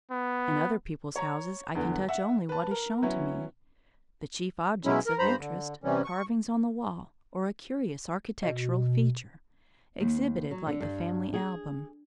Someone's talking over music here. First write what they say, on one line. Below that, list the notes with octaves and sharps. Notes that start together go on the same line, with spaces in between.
In other people's houses I can touch only what is shown to me--the chief objects of interest, carvings on the wall, or a curious architectural feature, exhibited like the family album.
B3
C#5 A#5 C#6
E2 D3 B3
E5 F#5
B4 A5
A#4
F#3 B3 C#4 E4
B2 F#3 G#3 C#4 E4
A#4
G2 C5 A#5 B5
D3
C3 E3 G3 C#4
C#6
B2
D#2
F#3
D3
G2
G#4